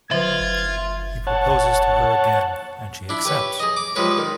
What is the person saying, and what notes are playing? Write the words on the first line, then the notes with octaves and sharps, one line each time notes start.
He proposes to her again and she accepts.
D3 F#3 F4 B4 E5 G#6
C#5 F#5 A5
D4 E4
G4 B4 C#5
G#4 D#5
D6
F3 G3 G#3 B4 C#5
D#3